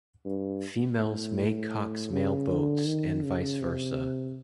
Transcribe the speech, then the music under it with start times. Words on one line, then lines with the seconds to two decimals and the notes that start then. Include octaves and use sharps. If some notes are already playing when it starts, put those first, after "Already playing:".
Females may cox male boats, and vice versa.
0.25 G2
1.00 A2
2.12 C#3
2.49 D3
2.87 D#3
3.24 C#3
3.61 C3